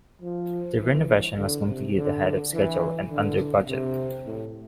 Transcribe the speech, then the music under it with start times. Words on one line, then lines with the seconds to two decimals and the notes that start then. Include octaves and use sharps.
The renovation was completed ahead of schedule and under budget.
0.22 F3
0.80 E3
1.38 D3
1.67 C3
1.96 D3
2.53 E3
3.11 D3
3.69 C3
4.26 A2